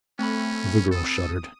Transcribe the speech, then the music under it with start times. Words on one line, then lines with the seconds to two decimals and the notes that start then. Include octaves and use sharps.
The girl shuddered.
0.19 A3 C4 C#4 B5
0.92 A4 D#6